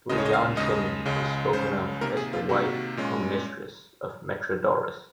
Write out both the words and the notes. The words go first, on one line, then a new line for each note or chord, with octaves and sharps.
Leontion is spoken of as the wife or mistress of Metrodorus.
D#2 C#3 G#3 D#5
C#5
D#5
F5
D#2 C#3 G#3 D#5
C#2 C#3 G#3 C#4
C#2 C#3 G#3 C#4 C5
C3 D#3 A#3 A#4
G#4
F4
C3 D#3 A#3 F#4
A#2 G#3 C#4